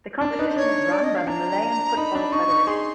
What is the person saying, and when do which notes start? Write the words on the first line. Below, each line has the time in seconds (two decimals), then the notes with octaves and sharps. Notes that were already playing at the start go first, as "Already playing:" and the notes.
The competition is run by the Malian Football Federation.
0.21 D4
0.30 A#4
0.39 D#4 B4
0.48 C5
0.56 D4 C#5
0.92 D5
1.03 D#5
1.15 F5
1.27 D4 A#5
1.97 D#4 B5
2.15 D4
2.32 D#4 C#6
2.50 D#4
2.67 G#4 C6